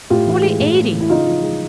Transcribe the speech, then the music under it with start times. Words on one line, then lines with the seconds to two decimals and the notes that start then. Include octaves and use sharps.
"Fully eighty."
0.10 A2 F4 G4
0.27 E3
0.43 G#3
0.60 A2
0.77 G#3
0.93 E3
1.00 E4
1.10 C#3 D#4 F4
1.26 F3
1.43 G#3